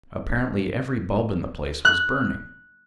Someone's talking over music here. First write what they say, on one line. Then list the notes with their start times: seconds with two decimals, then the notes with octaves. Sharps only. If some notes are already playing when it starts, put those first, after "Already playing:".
Apparently every bulb in the place was burning.
1.85 F#6